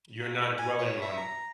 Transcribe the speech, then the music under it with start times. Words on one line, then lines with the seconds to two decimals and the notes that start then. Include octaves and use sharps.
you're not dwelling on
0.19 A#3
0.59 G#5
0.79 C#5
1.02 E5
1.18 A#5